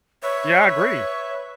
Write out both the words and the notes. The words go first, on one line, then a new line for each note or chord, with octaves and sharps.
Yeah, I agree.
B4 C#5 E5